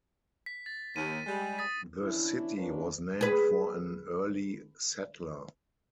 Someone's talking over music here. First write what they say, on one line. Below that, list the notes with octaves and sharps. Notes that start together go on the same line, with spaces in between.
The city was named for an early settler.
B6
A6
D#2 D#7
G3 G#3
D#6 A6 B6
E3 C#4 D4 E4
F2 C#4 D4 F4 A#4 B4
G#4 B4